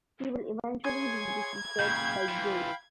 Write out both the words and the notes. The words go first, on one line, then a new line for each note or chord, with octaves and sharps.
He will eventually be defeated by Gil.
G#4 C#5 G#5 C6 G#6
A#2 C#3 F5 G5 B5 G6
E3 F4